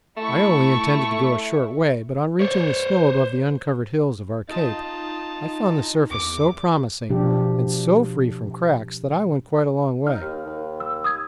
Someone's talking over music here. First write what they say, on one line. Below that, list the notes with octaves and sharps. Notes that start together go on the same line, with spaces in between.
I only intended to go a short way, but on reaching the snow above the uncovered hills of our Cape I found the surface so promising and so free from cracks that I went quite a long way.
A3 E4 C#6
C5 C#5
D#4 F4 A5
E2 D6
B2 F3 D4 G4
D#4 F6
D#2
D#2
E6
D#6 G#6